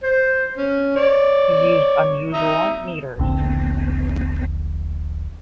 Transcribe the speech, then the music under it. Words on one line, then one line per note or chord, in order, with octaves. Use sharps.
He used unusual metres.
C5
C#4
C#5 D5 D6
E5 A#5 D#6
D#1 A#1 D3 C4